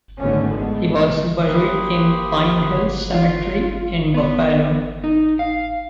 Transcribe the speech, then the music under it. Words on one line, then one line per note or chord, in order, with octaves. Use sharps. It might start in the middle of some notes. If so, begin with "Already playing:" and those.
He was buried in Pine Hill Cemetery in Buffalo.
G#1 D3 A3 B3 C#4
G#3 A3 B3
A#3 G4 B4 C6 D#6
F4
B3
D#4
F5